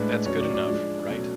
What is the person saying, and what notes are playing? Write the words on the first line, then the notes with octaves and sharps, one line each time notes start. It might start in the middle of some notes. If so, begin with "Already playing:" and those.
That's good enough, right?
Already playing: A2 G#3 D4 B4
A2 F#3 C#4 C#5
D5
D5
F3 G#3 D4
B2 F#3 A3 C#4